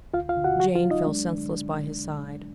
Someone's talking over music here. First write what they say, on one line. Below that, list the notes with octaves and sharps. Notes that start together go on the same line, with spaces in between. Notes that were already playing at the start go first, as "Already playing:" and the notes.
Jane fell senseless by his side.
D2 F4 F5
F4 F5
D3
F#4 F#5
F#3 F#4 F#5
F4 F5
F#3
D#4 D#5
G#3 D4 D5
D3